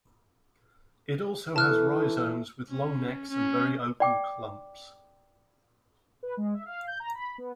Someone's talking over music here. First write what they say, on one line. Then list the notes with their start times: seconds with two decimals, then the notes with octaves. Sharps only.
It also has rhizomes with long necks and very open clumps.
1.56 E3 A3 A4 A5 F6 F#6
2.69 C#4
3.30 C#4
4.00 D5 G5 D6
6.23 B4
6.37 G#3
6.54 E5
6.66 F5
6.87 G6
7.00 A#5
7.15 B5
7.38 B3